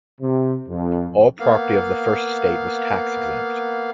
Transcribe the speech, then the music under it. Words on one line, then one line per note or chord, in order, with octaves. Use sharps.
All property of the First Estate was tax exempt.
C3
F2
A#3 B3 F5